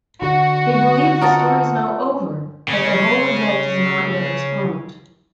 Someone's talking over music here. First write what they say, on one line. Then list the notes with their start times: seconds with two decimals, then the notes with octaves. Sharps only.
They believe the story is now over, but the holodeck does not yet respond.
0.22 D3 F#4
1.21 F4 A#4 D#5 F#5 A5
2.68 C#3 C#4